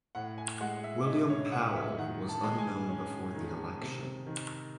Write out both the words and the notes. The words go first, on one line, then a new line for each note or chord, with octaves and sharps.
William Powell who was unknown before the election.
A2 F#5
G#5
G#3 F#5
E5
D#4 E5
C#5
A2 F#5
E5
D#3 F#5
A5
G#3
G#5
C#4
D#3
C3
D#3